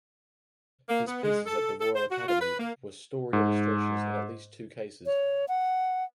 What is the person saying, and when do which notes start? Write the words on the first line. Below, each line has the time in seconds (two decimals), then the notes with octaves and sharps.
His pieces at the Royal Academy were story illustrations in at least two cases.
0.89 A#3
1.07 B3
1.23 G#3
1.46 A4
1.80 A4
1.96 C5
2.11 F#4
2.28 F4
2.41 B4
2.59 A#3
3.33 G#2
5.06 C#5
5.48 F#5